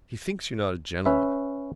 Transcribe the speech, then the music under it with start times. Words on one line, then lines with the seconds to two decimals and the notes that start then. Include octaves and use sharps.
He thinks you're not a gentleman.
1.06 C#4 B4 E5